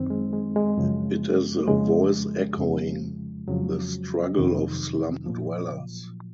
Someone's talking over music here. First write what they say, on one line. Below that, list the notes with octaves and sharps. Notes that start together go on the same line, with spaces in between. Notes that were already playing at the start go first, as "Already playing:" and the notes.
It is a voice echoing the struggle of slum-dwellers.
Already playing: F#2 D#3 C4
G#3
G#3
G#3
F#2 C#3 F3
F2 C#3 F3 G#3
F2 C#3 F3
F2 C#3 F3 F#3
F2 C3 D#3
A#2 F3